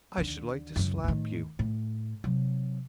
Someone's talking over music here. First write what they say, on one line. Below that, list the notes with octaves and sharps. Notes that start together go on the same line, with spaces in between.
"I should like to slap you."
D#2 D3
C#2 F#2
A2 D#3
A2
C3 F#3